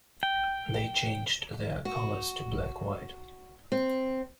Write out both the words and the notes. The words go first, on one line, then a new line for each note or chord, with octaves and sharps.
They changed their colours to black-white.
G5
F#4
C4